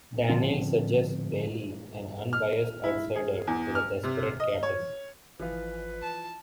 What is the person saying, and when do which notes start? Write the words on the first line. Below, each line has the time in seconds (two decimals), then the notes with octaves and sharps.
Daneel suggests Baley, an unbiased outsider, to the desperate captain.
0.29 A2 D3 F3 C4
2.33 F6
2.84 E4
3.15 G#4
3.47 E2
3.75 F6
4.03 C3
4.40 D#5
4.63 C#5
5.39 G#1 E3 F3 F4 B4
6.01 A5